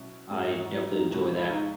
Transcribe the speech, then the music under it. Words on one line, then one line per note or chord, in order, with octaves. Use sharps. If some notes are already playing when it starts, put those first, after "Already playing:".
I definitely enjoy that.
Already playing: B2 F#3 C#4 E4
G#2 F#3 C#4 E4 G#4
F#4
E4
D#4
C#2 B2 G#3 E4
E4
D#4